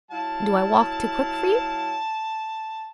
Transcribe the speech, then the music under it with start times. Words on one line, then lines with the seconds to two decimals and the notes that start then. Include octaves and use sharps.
'Do I walk too quick for you?'
0.11 F#3 E4 F5 A5